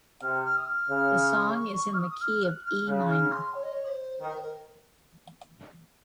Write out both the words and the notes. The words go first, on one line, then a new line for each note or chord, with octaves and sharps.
The song is in the key of E minor.
C3 F6
F6
D#6
F6
C#3
C#6
C#6
F6
D#6
D#6
F6
F#6
F6
C#3 F#6
F6
C6
C#5
D#5
C#5
C5
D#3 A#4
C5
A#4